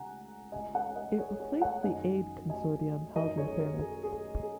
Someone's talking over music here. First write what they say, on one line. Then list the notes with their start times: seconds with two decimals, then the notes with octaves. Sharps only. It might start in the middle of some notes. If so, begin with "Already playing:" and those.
It replaced the Aid Consortium held in Paris.
Already playing: C#2 C#3 F#5 G#5 A#5
0.52 C#2 C#3 D#5 G#5
0.74 C#5 F#5
0.96 A#4 D#5
1.18 G#4 C#5
1.40 G#4 C#5
1.62 C#5 F#5
1.83 F#2 D#3 D#5 G#5
2.50 D#5 G#5
3.15 F#2 D#3 A#4 D#5
3.37 G#4 C#5
3.59 A#4
3.81 G#4
4.03 G#4
4.43 G#4